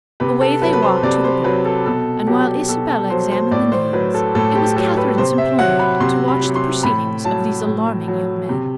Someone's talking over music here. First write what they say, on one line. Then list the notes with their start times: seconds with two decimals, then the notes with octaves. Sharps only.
Away they walked to the book; and while Isabella examined the names, it was Catherine's employment to watch the proceedings of these alarming young men.
0.20 C3 B4
0.41 A4
0.62 F#3 B4
0.73 B4
0.82 C5
1.03 C3 D5
1.24 C5
1.44 F#3 B4
1.65 A4
1.86 B2 A4
2.27 F#3 G4
2.69 B2 A4
2.89 A4
3.10 F#3 C5
3.31 C5
3.51 A2 D5
3.72 C5
3.93 F#3 B4
4.14 A4
4.35 A2 A4
4.55 G4
4.76 F#3 A4
4.97 B4
5.17 C3 C5
5.38 E5
5.59 F#3 F#5
5.79 B5
6.00 C3 C6
6.28 B5
6.42 F#3
6.55 C6
6.83 A2 B5
7.24 F#3 A5
7.66 A2
8.08 F#3
8.49 C3